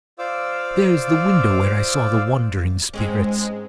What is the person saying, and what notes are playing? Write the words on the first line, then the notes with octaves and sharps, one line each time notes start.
There's the window where I saw the wandering Spirits!
F4 C5 D5 F5 D6 E6
G#2 G#3 C4 C#4